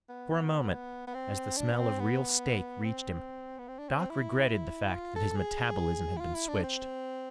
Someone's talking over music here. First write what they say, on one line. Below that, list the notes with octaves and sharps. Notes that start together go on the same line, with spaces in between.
For a moment, as the smell of real steak reached him, Doc regretted the fact that his metabolism had been switched.
B3
B3
C4
D4
B3
C4
B3
C4
B3
C4
D4
C4
C4
E4
F4
A4
G#4
E4
F4
E4
D4
C4